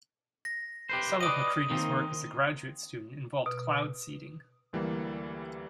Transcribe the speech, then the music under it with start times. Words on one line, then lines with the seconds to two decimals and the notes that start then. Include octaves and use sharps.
Some of MacCready's work as a graduate student involved cloud seeding.
0.45 A#6
0.89 G4 B4 C5
1.21 B4 D5 D#5 D#6 D#7
1.70 D#3 A#3 C4
3.46 B2
4.73 D2 E3 G3 A#3